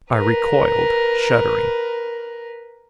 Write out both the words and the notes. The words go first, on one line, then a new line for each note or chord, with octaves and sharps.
I recoiled shuddering.
A#4 B4